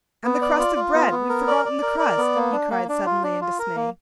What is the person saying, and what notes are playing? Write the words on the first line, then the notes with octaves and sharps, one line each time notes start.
"And the crust of bread, we've forgotten the crust!" he cried suddenly in dismay.
B3
D5
F4
F4
B3
B3
A#4
D5
D5
A#4
D5
B3
A#3
D4
A#3
D4
F4
D4
F4
A#4
A#3